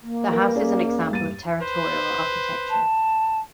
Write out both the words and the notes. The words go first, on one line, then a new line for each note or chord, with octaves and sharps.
The house is an example of Territorial architecture.
A#3
A#4 B4
C#4 G#4 D5
G2 A6 D#7
B4 C5
A5